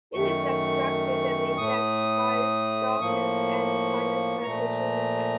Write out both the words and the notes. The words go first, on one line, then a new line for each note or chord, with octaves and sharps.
It is abstracted and indexed by Scopus and the Science Citation Index.
F#2 D#3 A3 C#6
A2 A3 D#6
A2 F3 A#3 C#6
A#2 F3 A3 A#5